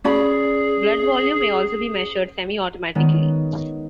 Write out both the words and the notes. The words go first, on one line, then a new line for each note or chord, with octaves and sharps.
Blood Volume may also be measured semi-automatically.
C#4 G#4 D5 B5
D#3 G#3 B3 C#4